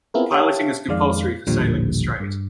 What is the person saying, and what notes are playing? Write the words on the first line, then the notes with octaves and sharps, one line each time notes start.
Piloting is compulsory for sailing the strait.
B3 C4 E4 F4 G#4 A#4
G4 C#5 E5 F5 A5
F2 D#3 G#3 D5 F5
A1 D#2 A#2 D3 F3 G3
G2